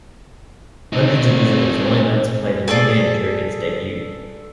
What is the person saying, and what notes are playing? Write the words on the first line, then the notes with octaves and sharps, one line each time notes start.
Hundreds of visitors lined up to play the new game during its debut.
C4 D#4
G#4 A4 C#5 D5